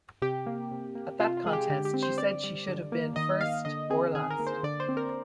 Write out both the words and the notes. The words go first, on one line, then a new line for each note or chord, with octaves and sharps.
At that contest, she said she should have been "first or last".
C3 G4
A#3
C3
A#3
C3 F4
F4
G#3 G#4
G4
D3 G4
G4
C4
C5
C4 D5
G3
D3
A#3
D#3 D#5
A#3 F5
D3 D#5
C4 G#4
D#3 G#4
A#4
A#3
C5
D3 D5
C5
C4
A#4